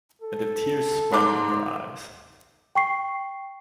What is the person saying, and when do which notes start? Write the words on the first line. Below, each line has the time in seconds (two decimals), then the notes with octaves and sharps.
And the tears swam in her eyes.
0.22 A4
1.12 G#2 C6 D6
2.75 G5 C#6 C7